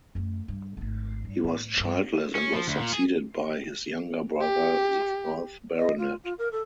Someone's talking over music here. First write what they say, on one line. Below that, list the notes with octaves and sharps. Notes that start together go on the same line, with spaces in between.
He was childless and was succeeded by his younger brother, the fourth Baronet.
F#2 A3
G2
G#1 A3
G2
A2
G2 D#3
C#4
F3
D2
A#2
G#4
G4
D#5
F4
F4
A#4
A4